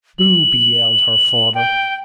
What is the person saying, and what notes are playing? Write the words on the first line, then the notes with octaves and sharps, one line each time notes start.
"Booby!" yelled her father.
F#7
G5